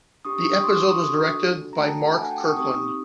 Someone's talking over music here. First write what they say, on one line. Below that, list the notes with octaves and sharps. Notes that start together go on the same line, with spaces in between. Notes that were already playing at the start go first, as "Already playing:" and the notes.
The episode was directed by Mark Kirkland.
D4 G4 C#6 D#6
C#6 D#6
C#6 D#6
C6 D6
C6 D6
C#6 D#6
D4 F#4 A4 C#6 D#6
A#5
A3 D4 F#4 A4 G5 A5
A5
F#5 G#5
G5 A5
C#6 D#6
C4 D#4 G4 C#6 D#6